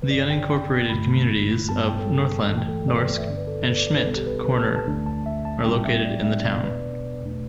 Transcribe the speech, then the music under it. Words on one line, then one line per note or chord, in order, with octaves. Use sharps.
The unincorporated communities of Northland, Norske, and Schmidt Corner are located in the town.
B4
G1 G2 D3 D5
G5
G5
G1 G2 D3 A3 B5
G2 G3 B3 A5
G5
A4
G1 G2 E3 A3
G5
A4
D5
B4
D5
E5
G2 D3 B3 D4 D5
B4
A4
A4
B4
D5
D5
B4
B1 B2 G3 B3 A4
G4
B4
B4
A5
A5
D2 D3 A3 D4
A5
E5
A5
A2 G3 B3 D4 G5
E5
D5
E5
E2 B2 B3 D4 D5
B4
E2 B2 A3 D4